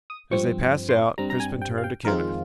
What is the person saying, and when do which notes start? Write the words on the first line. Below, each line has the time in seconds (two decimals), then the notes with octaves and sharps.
As they passed out, Crispin turned to Kenneth.
0.10 D#6
0.31 G2 F3 C4 C#6
0.89 C6
1.18 G2 G3 C4 A#5
1.30 A#5
1.40 G#5
1.62 G5
1.78 F5
1.84 G5
2.05 F2 D#3 G#3 C4 F4 A#4